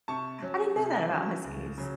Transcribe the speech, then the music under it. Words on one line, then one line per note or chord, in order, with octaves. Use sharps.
I didn't know that about Huskies.
C3 A5 C#6
F#3 C#4
C3
F#3 C#4
C#2
C#3 F#3